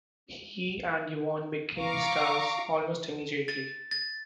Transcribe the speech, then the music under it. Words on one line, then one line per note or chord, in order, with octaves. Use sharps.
He and Yvonne become stars almost immediately.
F5 A#5 C#6 D6
A6
A6